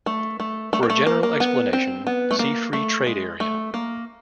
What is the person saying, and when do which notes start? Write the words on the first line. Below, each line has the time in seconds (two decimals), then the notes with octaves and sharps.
For a general explanation, see free-trade area.
0.06 A3
0.40 A3
0.73 A3
0.83 A#3
0.90 A3
1.06 A#3
1.23 A#3
1.40 B3
1.73 C4
2.07 B3
2.31 A3
2.39 A#3
2.73 A3
3.06 G#3
3.40 A3
3.74 A#3